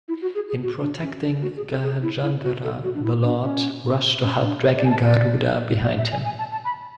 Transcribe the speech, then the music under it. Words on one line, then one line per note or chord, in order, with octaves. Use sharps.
In protecting Gajendhra the Lord rushed to help dragging Garuda behind Him.
E4
F#4
G#4
G#4
F#4
D4
C#4
D4
F#4
G#4
A4
G#4
E4
E4
F#4
A4
F#4
D4
E4
D4
C#4
C#4
D4
C#5
D5
G#5
A5
D5
D5
E5
G#5
G#5
A5
A5
B5